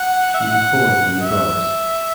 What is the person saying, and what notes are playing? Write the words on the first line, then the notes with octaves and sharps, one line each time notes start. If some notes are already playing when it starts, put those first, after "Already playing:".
She was born in The Bronx.
Already playing: F#5
E5
F#5
E5